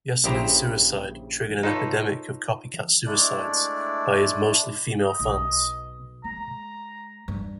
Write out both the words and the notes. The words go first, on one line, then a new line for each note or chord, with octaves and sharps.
Yesenin's suicide triggered an epidemic of copycat suicides by his mostly female fans.
A#1 C#3 E4 G4 C5 A#5
D#4 F4 A4 B4 C#5
G#3 A3 D4 E4 D5
D#5
B1
G#3 A#5
G2